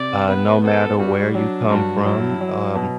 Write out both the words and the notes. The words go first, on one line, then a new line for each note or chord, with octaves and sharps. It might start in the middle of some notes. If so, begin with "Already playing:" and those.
Uh, no matter where you come from, um,
Already playing: C3 D5
B3 B4
B3 A4
G3 F#4
F#3 D4
G2 F#4
F#3 E4
F#3
B2